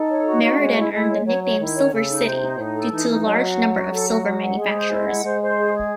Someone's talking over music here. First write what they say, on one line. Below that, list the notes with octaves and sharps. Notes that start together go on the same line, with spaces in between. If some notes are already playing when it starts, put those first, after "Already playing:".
Meriden earned the nickname "Silver City", due to the large number of silver manufacturers.
Already playing: D#4 A4
C#5
F#4
F#4
G#3 C#5
E4
G#3 E4
C#5
F#3 C#5
C#5
D#3 E4
C#5
C#3 A4
D#4
C3 C5
D#4
A2 D#4
A4
E3 D#4
D#4
F#3 D#5
F#4
F#5
F#4
A4
F#4
F#4
F#5
G#3 G#4
C5
E4
F#5
G#3 C5
C5
G#4
G#4